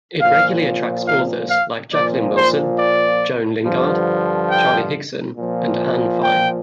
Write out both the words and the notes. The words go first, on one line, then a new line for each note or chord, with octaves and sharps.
It regularly attracts authors like Jacqueline Wilson, Joan Lingard, Charlie Higson and Anne Fine.
A#2 F3 F5
F5
F5
A#2 F3 D5
C5
D5
G2 D3 F3
G5
A#2 F3
G5